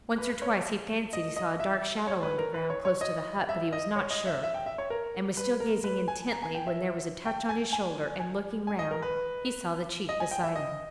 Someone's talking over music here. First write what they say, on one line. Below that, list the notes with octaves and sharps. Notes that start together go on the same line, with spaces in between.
Once or twice he fancied he saw a dark shadow on the ground close to the hut, but he was not sure, and was still gazing intently when there was a touch on his shoulder, and, looking round, he saw the chief beside him.
B4
B4
C#5
D#5
D#5
E5
C#5
B4
A#4
B4
C#5
C#5
D#5
E5
D#5
C#5
D#5
E5
E5
G5
E5
C#5
A#4
B4
A#4
B4
G#5
A#5
G#5
G5
E5
G5
G#5
G#5
G#5
G#5
D#5
A#4
B4
D#5
G#5
G5
E5
D#5